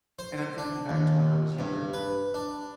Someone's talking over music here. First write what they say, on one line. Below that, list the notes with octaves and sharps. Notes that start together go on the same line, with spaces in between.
and I'm thinking back to when I was younger,
C5
D4
D#2
G2
B4
D4